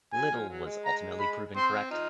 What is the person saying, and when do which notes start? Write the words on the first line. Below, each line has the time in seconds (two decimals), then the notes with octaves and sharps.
Little was ultimately proven correct.
0.13 F#3 G#5
0.31 F3
0.49 F#3
0.66 G#3
0.85 A#5
1.20 B5
1.55 C4 C6
1.91 D#4 F4